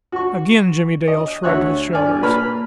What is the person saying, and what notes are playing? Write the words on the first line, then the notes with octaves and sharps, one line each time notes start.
Again Jimmie Dale shrugged his shoulders.
F#4 C#6
D#5
D2 F#4 C#5 E5 F#6
G2 D5 G#5 F6
A#2 A#3 B4 B5 F6